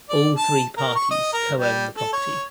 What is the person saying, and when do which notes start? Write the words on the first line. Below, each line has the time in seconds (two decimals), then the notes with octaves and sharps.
All three parties co-own the property.
0.09 D5
0.37 A5
0.77 A#4
0.96 C#6
1.11 D#5
1.33 A#4
1.58 G3
1.97 A4
2.13 C#5